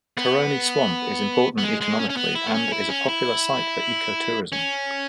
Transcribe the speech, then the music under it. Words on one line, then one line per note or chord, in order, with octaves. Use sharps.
Caroni Swamp is important economically and is a popular site for ecotourism.
B3
B3
G#3
G#3
C#4
C#4
B3
E4
B3
C#4
E4
C#4
E4
C#4